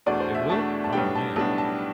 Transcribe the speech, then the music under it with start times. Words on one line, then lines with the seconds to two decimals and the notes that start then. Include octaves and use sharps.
They will? Oh man.
0.06 E2 B2 A3 D4 D5
0.20 C5
0.35 E5
0.49 E2 B2 A3 D4 A5
0.84 A5
0.93 B1 A2 G3 B3 D4 G5
1.15 A5
1.36 B1 A2 G3 B3 D4 A5
1.58 A5